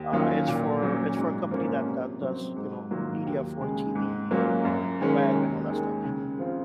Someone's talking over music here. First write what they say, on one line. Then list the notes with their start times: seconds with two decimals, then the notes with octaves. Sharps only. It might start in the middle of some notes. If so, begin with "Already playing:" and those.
uh, it's for it's for a company that that does, you know, media for TV and and web and all that stuff,
Already playing: D#2
0.12 D#3 F#3 C#4 F4
0.47 A#2
0.82 F#3 C#4
1.17 G#2
1.51 F3 A#3 C#4
1.86 C3
2.21 F#3 C4
2.57 G#2
2.91 D#3 F#3 A#3 F4
3.25 D#2
3.60 C#3 G#3
3.95 G#2
4.31 F#3 A#3 C#4 F4
4.65 F#2
5.00 D#3 G#3 C#4
5.35 D#2
5.70 D#3 G#3
6.05 C#3
6.39 F3 C4 F4